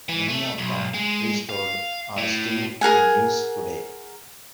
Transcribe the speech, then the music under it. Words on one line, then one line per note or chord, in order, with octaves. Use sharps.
Many of them, restored, are still in use today.
E3
A3
B1
G#3
F5
A2
G#4 A#4 F#5 G#5